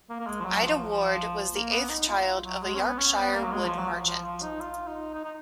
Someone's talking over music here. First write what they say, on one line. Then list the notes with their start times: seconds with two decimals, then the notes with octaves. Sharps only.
Ida Ward was the eighth child of a Yorkshire wool merchant.
0.10 A#3
0.20 A#3
0.27 G#3
0.40 F3
0.45 F#3
0.64 F3
0.89 F3
1.54 A#3
1.71 B3
1.89 D#4
2.08 F4
2.44 F#3
2.62 G#3
2.75 C#4
2.79 B3
2.98 C#4
3.16 B3
3.33 A#3
3.44 F#3
3.52 G#3
3.65 F3
3.79 F#3
3.92 F3
4.06 F3
4.24 F3
4.42 D#4
4.60 F4
4.87 D#4
5.14 D#4
5.25 D#4